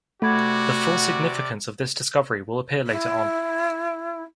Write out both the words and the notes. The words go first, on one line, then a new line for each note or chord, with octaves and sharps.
The full significance of this discovery will appear later on.
C3 A3 F#4 D5 F#5 B5 G#6
E4